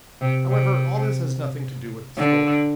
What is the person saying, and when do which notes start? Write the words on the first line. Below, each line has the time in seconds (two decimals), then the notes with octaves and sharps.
However, all this has nothing to do with the story.
0.21 C3
0.49 C3
2.17 D3